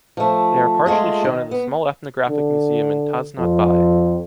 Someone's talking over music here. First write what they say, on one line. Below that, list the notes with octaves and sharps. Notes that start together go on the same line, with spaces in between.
They are partially shown in the small ethnographic museum in Tășnad-Băi.
F3 A3
G#3 A3 F4 G#4
D#3
B3
D3
F2